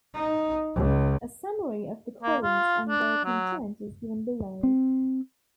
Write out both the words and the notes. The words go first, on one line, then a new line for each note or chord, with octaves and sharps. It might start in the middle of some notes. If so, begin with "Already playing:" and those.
A summary of the quarries and their contents is given below.
D#4
C#2
A#3
F4
D4
F#3
C4